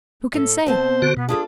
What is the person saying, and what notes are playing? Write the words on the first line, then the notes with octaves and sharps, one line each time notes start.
Who can say?
A2 A4
B2 C4 C5 A5
D3 F#4
B2 B3
D4 F4 G#4 A4